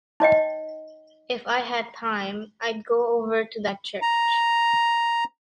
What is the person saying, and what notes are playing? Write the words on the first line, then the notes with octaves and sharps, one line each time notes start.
If I had time I'd go over to that church.
D#4 C#5 D#5 G5
A#5